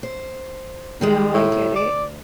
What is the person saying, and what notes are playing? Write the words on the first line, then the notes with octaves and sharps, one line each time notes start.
No, I get it.
C5
D#3 G3 G#3
A2
D2
D5